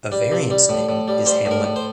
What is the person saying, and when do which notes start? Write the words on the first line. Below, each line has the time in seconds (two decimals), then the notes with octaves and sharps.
A variant name is "Hamlet".
0.12 G3
0.32 C3
0.51 G3
0.69 A2
0.89 A2
1.08 G3
1.26 G3 C5
1.46 A2
1.51 A#4
1.64 A2
1.76 C5